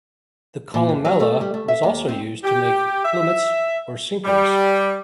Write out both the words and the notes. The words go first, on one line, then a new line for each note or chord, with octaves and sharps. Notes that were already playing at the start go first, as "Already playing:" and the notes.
The columella was also used to make plummets or sinkers.
A#2
F2
F#3
A3
G3
A3
E5
D#2
C4
G4
E5
G3